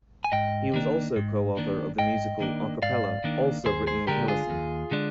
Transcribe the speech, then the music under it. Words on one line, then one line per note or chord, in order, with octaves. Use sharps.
He was also co-author of the musical "A Cappella," also written with Hellesen.
G#5
G#2 D#5 G5
D#3 A#3 D4
G#2
D#3 A#3 D4
G#2 D#5 G5
D#3 A#3 D4
G#2 D5 F5
D#3 A#3 D4
D#2 G#4 C5
G#4 C5
D3 G#3 D4 G4 A#4
F4 G#4
D#2
D3 G#3 D4